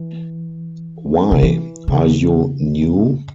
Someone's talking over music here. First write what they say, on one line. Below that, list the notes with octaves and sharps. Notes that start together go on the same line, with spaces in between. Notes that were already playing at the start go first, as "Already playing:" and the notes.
Why, are you new?
Already playing: E3
C#3
E3
C#3